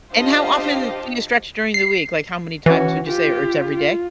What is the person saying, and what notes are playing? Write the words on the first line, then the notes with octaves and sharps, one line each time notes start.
And how often do you stretch during the week? Like, how many times would you say, or it's every day?
D4 F4 G4 C5 D#5 F5
C7
E3 C#4 F#4
F4 G4
F4